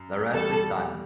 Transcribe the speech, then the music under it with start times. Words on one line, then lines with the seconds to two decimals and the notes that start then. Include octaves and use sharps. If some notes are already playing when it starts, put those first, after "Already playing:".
The rest is done.
Already playing: F#2
0.33 E2 B2 G3 A4